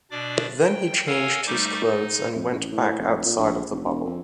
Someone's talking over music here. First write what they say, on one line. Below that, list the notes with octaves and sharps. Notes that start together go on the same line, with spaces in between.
Then he changed his clothes and went back outside of the bubble.
B2 D4 D5 D6
G5
A4 A#4 C#5 F5 F#5 G#5
G3 A3 D#4 C5 C#6 D6
D#4
F2
A1
A2
F1
A#2
A#1
F1
E1
F2